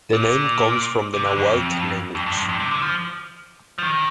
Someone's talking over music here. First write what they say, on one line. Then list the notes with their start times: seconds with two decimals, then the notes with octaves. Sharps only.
The name comes from the Nahuatl language.
0.13 A#2
1.14 C3
1.25 D3
1.37 F2
2.15 F2
2.26 G2
2.37 F2
2.49 G2
2.60 C3
2.71 D3
2.82 F3
3.79 F3
3.83 D#3